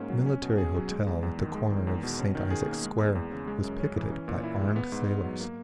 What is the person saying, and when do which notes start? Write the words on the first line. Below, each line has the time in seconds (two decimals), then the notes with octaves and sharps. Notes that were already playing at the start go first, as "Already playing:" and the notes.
The Military Hotel at the corner of St. Isaac's Square was picketed by armed sailors.
Already playing: G#2 A#3 C#4
0.10 F#3
0.26 C#4
0.42 B2
0.58 G#4
0.75 F#3
0.91 G#3
1.07 E2
1.23 E2
1.39 D#3
1.54 G#3
1.71 E2
1.87 E2
2.03 B2
2.19 C#4
2.35 D#3
2.51 G#4
2.67 A#3
2.83 G#3
2.99 E2
3.15 E2
3.32 C#3
3.47 G#3
3.64 F#2
3.80 C#4
3.96 E3
4.12 C#4
4.28 A#2
4.44 E4
4.60 G#3
4.76 B3
4.92 G#2
5.09 G#2
5.24 F#3
5.40 A#3